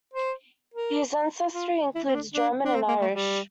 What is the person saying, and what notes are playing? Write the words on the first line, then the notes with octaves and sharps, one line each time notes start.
His ancestry includes German and Irish.
C5
A#4
F4
E4
C4
D4
D4
D4
C4
A#3
A3
G3